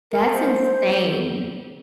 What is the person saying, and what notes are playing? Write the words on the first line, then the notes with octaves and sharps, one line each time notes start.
That's insane.
A#4
C5